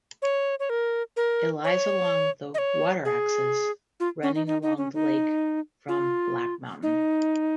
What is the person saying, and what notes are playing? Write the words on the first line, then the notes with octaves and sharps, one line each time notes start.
It lies along the 'water axis' running along the lake from Black Mountain.
C#5
C#5
A#4
A#4
C#5
D#5
C#5
G#4
F4
C#4
D#4
D#4
D#4
C#4
D#4
F4
D#4